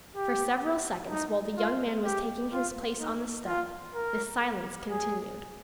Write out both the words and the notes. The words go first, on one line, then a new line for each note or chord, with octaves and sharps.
For several seconds while the young man was taking his place on the step the silence continued.
G4
D#4
F4
G4
F4
D#4
F4
A#4
G#4